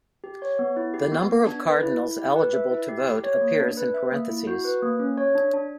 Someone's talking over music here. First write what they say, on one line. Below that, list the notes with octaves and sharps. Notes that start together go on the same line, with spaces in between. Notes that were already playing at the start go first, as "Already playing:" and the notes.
The number of cardinals eligible to vote appears in parentheses.
G4
C#5
B3
E4
G4
B3
B3
D4
B4
E4
E4
G4
B4
E5
E4
G4
G4
C#5
A#3
D4
B4
E5
A#3
E4
F#4
B4
A#3
C#4
C#5
D4
D4